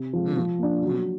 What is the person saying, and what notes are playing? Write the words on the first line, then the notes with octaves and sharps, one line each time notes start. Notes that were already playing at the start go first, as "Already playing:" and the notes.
Mm, mhm.
Already playing: C3
F3 G#3
F3
A#3 D4
F#3